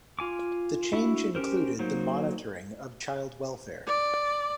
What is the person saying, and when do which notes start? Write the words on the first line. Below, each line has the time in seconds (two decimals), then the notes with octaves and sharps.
The change included the monitoring of child welfare.
0.19 F4 G#5 D6
0.93 D4 E4 F#4
1.35 C#4 G4 A#4 C5
1.79 F#3 A#3 D#4 C5
3.87 D5